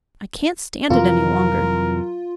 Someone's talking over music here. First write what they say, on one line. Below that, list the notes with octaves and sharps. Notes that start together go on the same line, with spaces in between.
I can't stand it any longer.
F2 C3 E3 F#3 F4 A#4